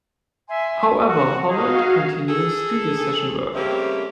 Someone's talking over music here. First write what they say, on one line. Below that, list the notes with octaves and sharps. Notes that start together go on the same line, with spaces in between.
However, Holland continued studio session work.
E5 G#5 C6
F#4
D#4 F#4 G#4 F5
G#4 A4
C#3 G3 A3 A#3 C4 G4